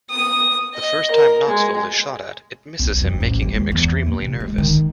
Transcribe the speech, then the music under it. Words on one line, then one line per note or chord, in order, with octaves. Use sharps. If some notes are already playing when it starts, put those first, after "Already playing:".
The first time Knoxville is shot at, it misses him making him extremely nervous.
D#6
D#5
A#4
G#3
B1
F2
A1
G#3
D#2
E2
A#1
C3
G#3
D#3